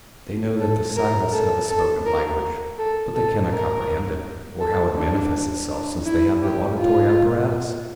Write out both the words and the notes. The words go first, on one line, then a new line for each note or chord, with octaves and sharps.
They know that the Sagoths have a spoken language, but they cannot comprehend it, or how it manifests itself, since they have no auditory apparatus.
A4
A#4
A4
A4
A#4
A4
A4
A#4
A4
D4
D4
E4
G4
F4